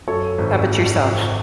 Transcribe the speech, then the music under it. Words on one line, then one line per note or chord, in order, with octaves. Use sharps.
How about yourself?
F#2 A4 C#5
G#1